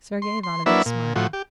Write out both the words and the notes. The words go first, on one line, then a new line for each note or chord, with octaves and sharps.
Sergey Ivanovitch smiled.
C6
C6
F#3 A#3 D4 E4 B4 E5
A#2
A2 F3 F#4
G4